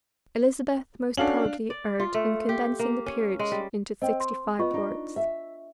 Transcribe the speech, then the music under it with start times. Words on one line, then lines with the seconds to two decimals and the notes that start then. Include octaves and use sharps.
Elizabeth most probably erred in condensing the peerage into sixty-five lords.
1.17 C#4 D4 F#4 A4 F5 F#7
1.70 D5
2.00 F4
2.14 A3
2.49 G4
2.80 A#3
3.06 C#4
3.39 G#3
3.52 G3
4.02 C4 D#5 G5
4.20 C6
4.59 B3 F4 D#5 C#6
4.74 D4 D#4
5.16 E5